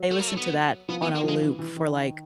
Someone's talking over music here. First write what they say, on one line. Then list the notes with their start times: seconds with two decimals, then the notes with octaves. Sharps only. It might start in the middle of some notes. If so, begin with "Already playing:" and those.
listened to that on a loop for like
Already playing: F#3
0.11 A3
0.19 A#3
0.28 A3
0.37 B3
0.89 F3 B3
1.02 B3
1.06 D#3
1.15 A#3
1.24 F3 G#3
1.41 E3
1.59 E3
1.76 D#3